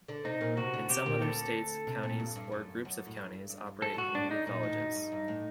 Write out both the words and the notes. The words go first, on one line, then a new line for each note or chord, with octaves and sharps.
In some other states, counties or groups of counties operate community colleges.
D3 D4
C3 C4 D#4
A#2 A#3
C3 C4 F#4
D3 D4
C3 C4 G4
A#2 A#3
D2 D3 A4
C3
A#2
G2
G2
F#2
F#2
A2
G2
G2
F#2 A4
A2
G2 F#4
A2 D4
D#4
A#2 D#4
A2
F#2
G2
G2
A2